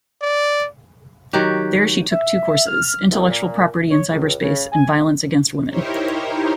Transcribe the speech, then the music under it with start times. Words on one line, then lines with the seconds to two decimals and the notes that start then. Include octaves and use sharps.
There she took two courses - Intellectual Property in Cyberspace and Violence Against Women.
0.22 D5
1.33 D#3 F#3 F#4 G4
2.12 E5
2.66 F6
3.10 C2
3.28 A#2
3.91 C#5
4.09 C#2
4.42 C#3
4.71 G#5
5.69 D#4 E4 G4 A#4 C5 C#5